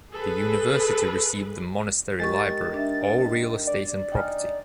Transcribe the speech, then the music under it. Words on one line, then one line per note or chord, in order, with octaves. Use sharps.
The university received the monastery library, all real estate and property.
G#4 A4 B4
D#3 G#3 G4 C#6 A6
D4 E5
D5
D#4 G5 G#5 F6